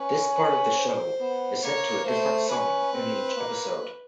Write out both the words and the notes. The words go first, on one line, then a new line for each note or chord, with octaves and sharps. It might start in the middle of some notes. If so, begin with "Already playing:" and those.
This part of the show is set to a different song in each episode.
Already playing: C#4 B4
B4
C5
B3
A#3 C#5
A3 C5
C#4 B4
C4
A#3